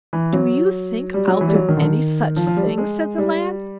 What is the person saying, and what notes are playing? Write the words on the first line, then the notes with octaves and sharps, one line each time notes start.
'Do you think I'll do any such thing?' said the lad.
E3
F#3
G3
F#3
E3
G3
F#3
D#3
D3
D#3
F3
F3
G3
A3
G#3
G3